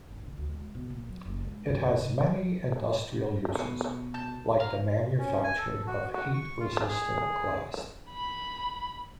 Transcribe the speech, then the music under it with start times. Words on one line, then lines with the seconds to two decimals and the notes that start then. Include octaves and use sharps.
It has many industrial uses, like the manufacturing of heat resistant glass.
0.08 G#1
0.23 D3
0.38 D2
0.54 G#3
0.75 B2
0.90 A#2
1.09 F#3
1.25 F#1
1.44 G#3
1.69 G2
1.83 D#2
1.99 C3
3.55 B2
4.14 A5 G6
4.60 A#4 F5
5.19 C#4
5.44 G#5
5.58 A4
5.87 F#4
6.14 F#4
6.33 C#6
6.60 F4
6.88 G#4
8.10 B5